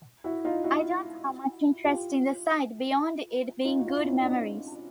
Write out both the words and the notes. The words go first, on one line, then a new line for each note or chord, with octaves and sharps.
I don't have much interest in the site beyond it being good memories.
E4 F#4
D#4 F4
E4 F#4
F4 G4
D#4 F4
F#4
F4
E4
C#4 D#4
D#4
C4 D4